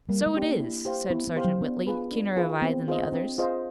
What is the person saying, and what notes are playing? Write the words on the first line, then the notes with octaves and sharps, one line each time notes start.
"So it is," said Sergeant Whitley, keener of eye than the others.
G3 A#3
G#3
D4 G4
A#3
E4
G4 C5 F5
B3 E4
B3
G4 C5 F5
F#3
B3 D4
F4 G#4 B4
D4
F4 G#4 B4
B3 C4
F4 G#4 C5 D#5
C4 D4
F4 G#4 C5 D#5